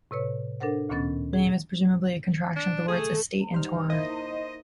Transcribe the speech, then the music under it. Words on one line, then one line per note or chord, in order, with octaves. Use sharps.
The name is presumably a contraction of the words 'estate' and 'tourer'.
A2 C3 B4 C#5
D4 A4 A#4 C5 F#5
D2 A#2 D#3 B3 C#4 A6
G#4
D4
A3 G#4 A4
G3 D#4 C5 F6
A#3 E4 C5 D#5